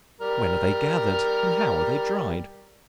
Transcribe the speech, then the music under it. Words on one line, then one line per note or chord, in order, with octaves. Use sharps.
When are they gathered, and how are they dried?
G3 A#4